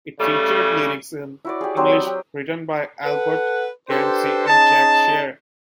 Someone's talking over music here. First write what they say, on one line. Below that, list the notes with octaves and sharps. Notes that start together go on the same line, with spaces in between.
It featured lyrics in English written by Albert Gamse and Jack Sherr.
C#3 G3 A3 C#4
E4 F#4 D5
G4 G#4
F#3 C4 G4 C5
D#6 E6
G4
A4 B4 F#5
D4 G4 A4 B4 C5
C#4 D#4 G#4 A5